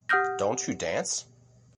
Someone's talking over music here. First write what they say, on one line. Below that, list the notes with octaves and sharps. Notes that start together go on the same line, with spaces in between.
Don't you dance?
G4 F#5 D#6 F6 G6 A#6